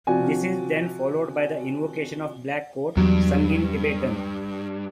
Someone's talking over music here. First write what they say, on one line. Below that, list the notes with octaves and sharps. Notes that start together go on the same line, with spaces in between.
This is then followed by the "Invocation of Black Coat", sung in Tibetan.
C3 F3 F#4 D5 G#5
E2 G2 F#3